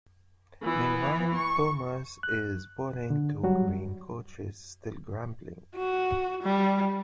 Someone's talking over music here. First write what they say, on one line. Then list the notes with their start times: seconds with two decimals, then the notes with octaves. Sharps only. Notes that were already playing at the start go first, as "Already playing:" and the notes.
Meanwhile, Thomas is pulling two green coaches, still grumbling.
0.63 E3 B3
1.35 C#6
2.23 F#6
3.10 D3
3.44 F#3 G3 F#4
5.76 F#4
6.43 G3